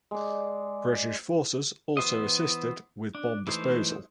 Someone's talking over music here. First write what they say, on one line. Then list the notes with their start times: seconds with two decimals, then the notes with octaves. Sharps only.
British forces also assisted with bomb disposal.
0.11 G#3 D5
1.97 E3 B3 C5 D#5
3.15 D4
3.47 E3 G#3 A3 D#4 C5